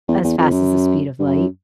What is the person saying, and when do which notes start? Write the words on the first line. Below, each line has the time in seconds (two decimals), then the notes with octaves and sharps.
as fast as the speed of light?
0.08 E2
0.24 E2
0.38 F2
0.52 F#2
1.19 G2
1.25 F#2